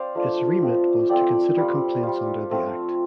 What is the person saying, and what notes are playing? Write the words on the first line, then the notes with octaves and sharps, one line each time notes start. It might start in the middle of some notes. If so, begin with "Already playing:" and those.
Its remit was to consider complaints under the Act.
Already playing: C4 C5 D5 F5 C6
F3 A3 D4 F4
F3 A3 C4
F3 A3 C4 D5 G5
G3 F4
G3 F4
F3 A3 C4 F4